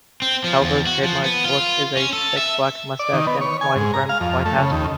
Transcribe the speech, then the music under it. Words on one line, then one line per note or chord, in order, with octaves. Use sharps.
Calvo's trademark look is a thick black moustache and wide-brimmed white hat.
C4
F3
E2
F#4
F3
B3
F4
C#4
A4
E5
D5
D#3
B3
C#5
G#5
G#2
A#5
F5
F2
A3
C#3
D#2